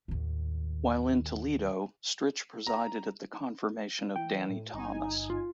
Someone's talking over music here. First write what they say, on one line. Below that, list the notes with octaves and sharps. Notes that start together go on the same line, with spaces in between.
While in Toledo Stritch presided at the confirmation of Danny Thomas.
D#2 A2
A#5
E3 G5
A2
G1 D#4 G#5
F4